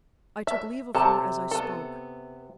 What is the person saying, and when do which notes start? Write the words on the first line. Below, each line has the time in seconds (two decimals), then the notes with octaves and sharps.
I took leave of her as I spoke.
0.47 E5
0.95 C3 A4 A5 A#5
1.51 B3 A4